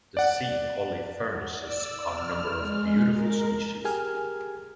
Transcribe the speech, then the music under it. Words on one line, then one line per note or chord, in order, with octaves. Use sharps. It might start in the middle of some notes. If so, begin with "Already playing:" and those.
The sea holly furnishes a number of beautiful species.
D5 F#5
D5 E6
F6
G#3
A#4
G4 G#4 A#4 G#5 F6